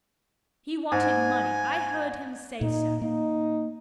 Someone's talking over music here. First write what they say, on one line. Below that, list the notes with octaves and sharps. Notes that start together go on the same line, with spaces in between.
He wanted money; I heard him say so.
G#2 G#5
A#2 D#4
A#3 D#4